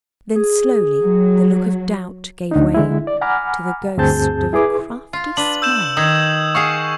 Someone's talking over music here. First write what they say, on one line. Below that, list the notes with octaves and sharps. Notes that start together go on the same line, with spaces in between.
Then slowly the look of doubt gave way to the ghost of a crafty smile.
G#4
F#3
D2 D4 D#4
D3 G#3 E4
D5
F#5 G#5 A#5 B5 D6 F6
D2 G2 C4 G#4 A5 G6
E4 G#4 B4 D6
F4
D4 B4 F#7
E6 G6 E7
D#3 D#6 G#6
G#4 F5 F#5 C#6